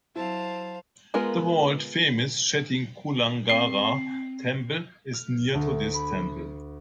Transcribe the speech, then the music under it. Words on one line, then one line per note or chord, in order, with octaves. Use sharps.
The world-famous Chettikulangara temple is near to this temple.
F#3 E4 C5 F5 A5
G#3 B3 F4 A#4
C4 C7
F6
D2
B5